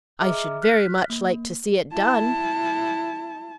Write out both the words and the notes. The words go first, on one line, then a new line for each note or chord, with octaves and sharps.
'I should very much like to see it done.
G#4 D#5 E5 A#5 D6 F6
F6 F#6 B6
A#3
E4 A5